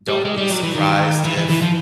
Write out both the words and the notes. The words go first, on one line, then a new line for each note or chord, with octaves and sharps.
don't be surprised if
G3
G#3
G3
F#3
E3
D#3
E3
E3
E3
F3